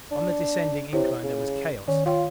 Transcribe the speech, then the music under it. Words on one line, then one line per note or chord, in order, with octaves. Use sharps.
On the descending incline there was chaos.
D4
C3 E4 C#5
C#3
D#3 C#4
F4 C#5 F5 G5